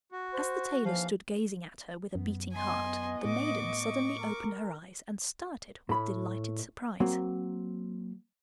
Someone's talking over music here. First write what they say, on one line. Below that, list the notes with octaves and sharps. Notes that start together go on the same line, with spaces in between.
As the tailor stood gazing at her with a beating heart, the maiden suddenly opened her eyes, and started with delighted surprise.
F#4
C5
D#2 E3 F3 F5
F#2 B3
B3 D#5 G#5 C6
A2 C#6 D6
A#4
A2 B5
F#3 A#3 C4